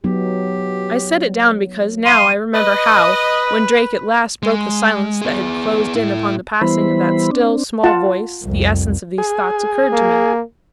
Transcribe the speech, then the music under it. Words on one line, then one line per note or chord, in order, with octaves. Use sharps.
I set it down because now I remember how, when Drake at last broke the silence that had closed in upon the passing of that still, small voice the essence of these thoughts occurred to me.
F#3 B3 D#4 G4
F5 C6 D#7
B4 D#5
G#3
B3 G#4
A2 E4
E3 G3 B3 E4 C5 B5
C4 D4
F4 F#5 A5
C2 F2
G#4
A#3